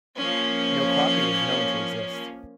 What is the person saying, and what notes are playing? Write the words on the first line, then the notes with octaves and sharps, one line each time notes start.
No copy is known to exist.
F3 A#3 C#4